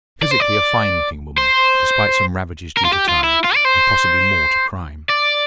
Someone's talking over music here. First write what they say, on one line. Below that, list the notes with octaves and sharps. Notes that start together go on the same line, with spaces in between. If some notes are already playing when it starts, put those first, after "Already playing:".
Physically a fine-looking woman, despite some ravages due to time, and possibly more to crime.
D5
C5
D5
C5
A#4
F4
G4
F4
E4
F4
D5
C5
D5